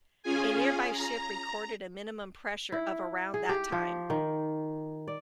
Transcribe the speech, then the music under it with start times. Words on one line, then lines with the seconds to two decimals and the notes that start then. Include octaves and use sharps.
A nearby ship recorded a minimum pressure of around that time.
0.23 C#4 F4 G#4 G#5
0.92 A#5
2.72 E4
3.34 G#4
3.49 G4
3.72 F3
4.10 D#3
5.07 D5